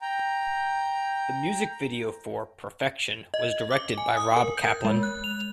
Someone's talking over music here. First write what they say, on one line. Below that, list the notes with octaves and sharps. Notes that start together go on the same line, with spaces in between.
The music video for "Perfection" was directed by Rob Kaplan.
G5 A#5
D#5
D6
G#5
D#6
A#4
G6
G#3
F#6
F7